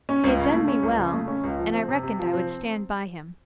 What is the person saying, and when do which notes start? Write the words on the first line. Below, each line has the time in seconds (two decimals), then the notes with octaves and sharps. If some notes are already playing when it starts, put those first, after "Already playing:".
He had done me well, and I reckoned I would stand by him.
0.09 C#4
0.24 C#2
0.39 C#3
0.54 A3
0.68 C#4
0.83 C#2
0.99 C#3
1.13 A3
1.28 C#4
1.44 C#2
1.59 F3
1.74 C4
1.89 C3
2.03 C3
2.19 F3
2.33 C4